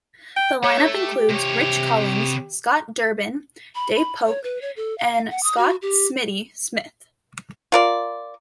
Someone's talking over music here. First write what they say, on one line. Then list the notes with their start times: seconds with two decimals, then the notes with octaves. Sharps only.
The line-up includes Rich Collins, Scott Durbin, Dave Poche, and Scott "Smitty" Smith.
0.37 G5
0.64 A3 C#5
1.02 G4
1.30 C3 C#5
3.75 B5
3.95 B5
4.27 C#5
4.44 B4
4.62 C#5
4.76 A4
4.98 F5
5.31 F#5
5.43 D#6
5.58 F#4
5.82 G4
7.72 F4 A#4 D5